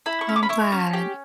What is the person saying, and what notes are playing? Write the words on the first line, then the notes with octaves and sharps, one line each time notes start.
Oh, I'm glad.
E4 B5
C#6
C#4
D6
B5
E4 C#6
C#4
G4